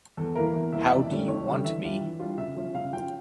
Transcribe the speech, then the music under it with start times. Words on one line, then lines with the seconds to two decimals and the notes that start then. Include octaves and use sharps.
How Do You Want Me?
0.17 E2 A4
0.35 E3 A#3 E4 A#4
0.54 E2
0.72 E3 A#3 E4 E5
0.85 E5
0.91 F2 D5
1.09 D3 G3 C#4
1.27 F2 C#5
1.47 D3 G3 C#4
1.64 E3 E5
1.83 G3 D4 F4
2.01 E3
2.20 G3 D4 F4
2.38 C#3 E5
2.56 F3 C#4 F4
2.74 C#3 F5
2.93 F3 C#4 F4 G5